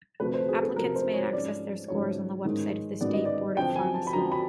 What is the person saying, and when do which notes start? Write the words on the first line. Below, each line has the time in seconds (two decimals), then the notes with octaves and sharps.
Applicants may access their scores on the website of the state Board of Pharmacy.
0.20 D2 C3 F3 A3 B4
0.34 C5
0.49 G#4
0.62 A4
0.76 D2 C3 F3 A3 A#4
0.96 C5
1.14 C#5
1.32 G#2 F3 G#3 C#4 D5
1.88 G#2 F3 G#3 C#4 C#5
2.44 A1 G#2 D#3 G#3 B3
3.01 A1 G#2 D#3 G#3 B3 D5
3.13 D#5
3.25 D5
3.57 F2 D3 F3 G5
3.76 G#5
3.94 A5
4.07 B5
4.13 F2 D3 F3 A#5
4.32 B5